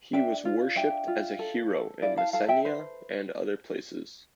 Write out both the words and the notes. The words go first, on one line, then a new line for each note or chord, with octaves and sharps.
He was worshipped as a hero in Messenia and other places.
D4 E5 G5
F4
D4 E5 G5
F4
A4
A4
E4 D5 F5
F5 A5
A4 F5 A5
E5 G5
B4 C5